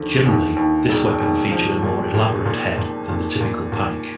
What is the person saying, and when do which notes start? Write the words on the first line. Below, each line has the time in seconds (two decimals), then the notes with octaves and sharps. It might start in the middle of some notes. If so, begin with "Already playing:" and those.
Generally, this weapon featured a more elaborate head than the typical pike.
Already playing: D#2 D3 F3
0.25 D#2
0.56 D#2
0.89 E1
1.20 D#2
1.51 F3
1.82 A#2
2.14 A#2
2.45 A#2
2.78 A#2
3.09 A#2
3.40 A#2
3.72 A#2